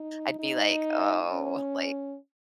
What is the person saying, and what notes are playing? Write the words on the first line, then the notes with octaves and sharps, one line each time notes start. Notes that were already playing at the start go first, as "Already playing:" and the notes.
I'd be like, "Oh," like,
Already playing: D#4
D#4
C#4